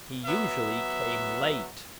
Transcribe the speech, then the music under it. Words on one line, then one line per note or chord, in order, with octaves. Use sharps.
He usually came late.
F#3 B3 E5